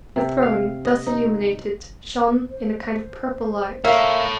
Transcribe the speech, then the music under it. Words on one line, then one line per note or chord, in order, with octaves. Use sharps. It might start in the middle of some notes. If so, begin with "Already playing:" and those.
The throne, thus illuminated, shone in a kind of purple light.
C3
F5
D#5
D#4
C5
A#3 A4 C#5 E5